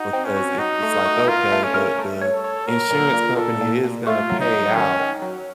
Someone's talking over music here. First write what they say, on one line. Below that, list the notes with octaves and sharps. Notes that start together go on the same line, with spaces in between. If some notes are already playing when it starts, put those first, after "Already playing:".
because it's just like, "Okay, the the insurance company is gonna pay out,
Already playing: D#4 F#4
C4
C#4
F#4
D#4 F#4
A3
F#4
F4 A#4
A3
C#4
A#4
A3
C#5
A4
C#5
F#3 A#4
A#2
A#2
A#2 A4
A#2
A#2
A3 F4
F#3
D#4
F#3
D#3 C#4
D#3
F#3